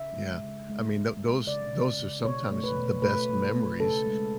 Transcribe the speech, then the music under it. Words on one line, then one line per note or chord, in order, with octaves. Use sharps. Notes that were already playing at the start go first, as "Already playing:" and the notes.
Yeah. I mean, tho those those are sometimes the best memories,
Already playing: C#3 E5
G#3
C#3
G#3
G#3
G#3
C#3 D5
C#3
C#3
B2 C#5
A3
B4
B2
A3 B4
A3
A3
C#3 A4
G#3